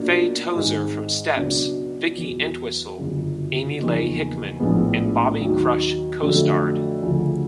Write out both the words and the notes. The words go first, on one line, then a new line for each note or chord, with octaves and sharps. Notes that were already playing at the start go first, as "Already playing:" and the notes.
Faye Tozer from Steps, Vicky Entwistle, Amy Leigh Hickman and Bobby Crush Co-starred.
Already playing: B2 F#3 A#3 D4 F4
G#2 D#3 G#3 C4
C#2 B2 F#3 B3 D4
E2 B2 F#3
G1 F#2 C#3
E2 C#3 F3 A#3 D#4
A#1 A2 F3 G#3 B3
D#2 D#3 F#3
F2 D3 F#3 A3
D2 C#3 F3 A3